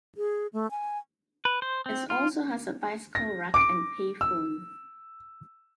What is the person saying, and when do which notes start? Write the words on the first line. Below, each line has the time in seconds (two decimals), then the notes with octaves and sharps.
It also has a bicycle rack and payphone.
0.17 G#4
0.53 A3
0.71 G#5
1.45 B4
1.62 C5
1.86 C4
2.10 F4
3.15 A#6
3.54 D6 D7
4.21 E6